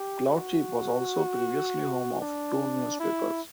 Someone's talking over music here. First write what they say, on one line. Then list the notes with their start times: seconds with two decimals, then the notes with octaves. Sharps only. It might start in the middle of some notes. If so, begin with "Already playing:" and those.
Cloud Chief was also previously home of two newspapers.
Already playing: G4
0.26 F#4
2.21 D4
3.00 E4